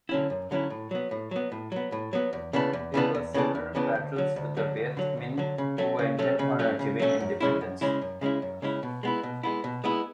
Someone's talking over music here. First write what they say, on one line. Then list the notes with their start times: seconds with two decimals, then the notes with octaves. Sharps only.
There were several battles with the Viet Minh, who were intent on achieving independence.
0.09 D3 F#3 C#4 E4
0.30 F#2
0.51 D3 F#3 C#4 E4
0.70 A2
0.91 F#3 B3
1.11 A2
1.31 F#3 B3
1.52 A2
1.72 F#3 B3
1.92 A2
2.13 F#3 B3
2.33 E2
2.53 C#3 E3 B3 D4
2.73 E2
2.94 C#3 E3 B3 D4
3.15 E2
3.34 C#3 E3 B3 D4
3.55 E2
3.75 C#3 E3 B3 D4
3.95 D2
4.16 D3 F#3
4.36 D2
4.57 D3 F#3
4.77 D2
4.97 D3 F#3
5.17 D2
5.38 D3 F#3
5.58 C#3
5.78 F#3 A3 C#4
5.99 C#3
6.19 F#3 A3 C#4
6.39 C#3
6.59 F#3 A3 C#4
6.79 C#3
6.99 F#3 A3 C#4
7.20 F#2
7.40 C#3 G#3 C#4 E4
7.61 F#2
7.81 C#3 G#3 C#4 E4
8.02 F#2
8.21 C#3 G#3 C#4 E4
8.42 F#2
8.62 C#3 G#3 C#4 E4
8.83 B2
9.03 G#3 B3 E4
9.23 B2
9.43 G#3 B3 E4
9.64 B2
9.84 G#3 B3 E4